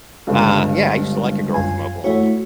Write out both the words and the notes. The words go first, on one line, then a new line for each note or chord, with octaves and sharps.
Uh, yeah, I used to like a girl from Oklahoma,
G1 C#2 G2
F#2 F4 G#5
A3 E4 F#4 C#5